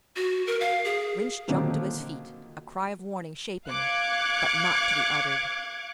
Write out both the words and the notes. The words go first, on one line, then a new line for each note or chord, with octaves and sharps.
Rynch jumped to his feet, a cry of warning shaping, but not to be uttered.
F#4
A#4
F5
G#4
A#2 D3 D#3 F3 F#3
F5 D6 F#6 G#6 C#7